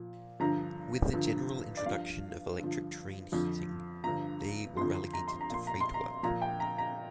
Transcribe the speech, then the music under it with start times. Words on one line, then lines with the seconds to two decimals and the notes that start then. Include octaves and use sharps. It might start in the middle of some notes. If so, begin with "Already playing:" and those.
With the general introduction of electric train heating they were relegated to freight work.
Already playing: A#2 F3
0.40 G2 D3 F3 A#5
1.13 G2 D3 F3
1.77 D5
1.85 G2 F3 F5
2.59 G2 D3 F3
3.32 F2 D3 F3
4.04 G2 D3 F3 A#5
4.77 F2 D3 F3 C6
5.14 A#5
5.28 C6
5.41 A#5
5.50 A#2 F3 C6
5.67 A#5
5.81 C6
5.94 A#5
6.23 A#2 F3 A#5
6.42 G5
6.60 A#5
6.78 A#5